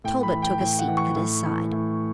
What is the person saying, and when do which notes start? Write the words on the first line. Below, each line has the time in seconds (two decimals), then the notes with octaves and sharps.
Talbot took a seat at his side.
0.04 A2 G5
0.23 B5
0.32 E3
0.42 G5
0.60 A2 G5
0.79 F#5
0.88 E3
0.97 C#6
1.16 A2
1.45 E3
1.72 A2